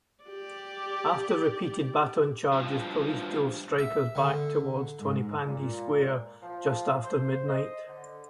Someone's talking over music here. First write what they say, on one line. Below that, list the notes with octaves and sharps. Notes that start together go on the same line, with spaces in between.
After repeated baton charges, police drove strikers back towards Tonypandy Square, just after midnight.
G4 D5
G2 F3
E5
D3
G#2
A#2
F3
C5
D#5
D3